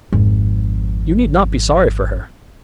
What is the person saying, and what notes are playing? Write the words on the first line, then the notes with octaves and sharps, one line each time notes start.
You need not be sorry for her.
G#1 F2